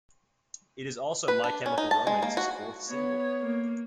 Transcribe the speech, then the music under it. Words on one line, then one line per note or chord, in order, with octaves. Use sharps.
It is also My Chemical Romance's fourth single.
B4
D4
C#4
D#4
A5
G#3
A#3
F#4
B3 C#5
A#3